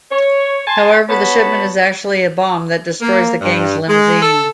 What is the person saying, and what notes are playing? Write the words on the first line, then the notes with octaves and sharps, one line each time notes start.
However, the shipment is actually a bomb that destroys the gang's limousine.
C#5
G#5 A5 C6
B3 F#4 C#5 A5 B5
A#3
G2
G#3
A4